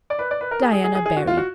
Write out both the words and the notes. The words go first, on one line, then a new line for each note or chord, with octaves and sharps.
Diana Barry.
D5
B4
D5
B4
A#4
G#4
G#4
G#4
G#4
G#4
F#4
F4
F#4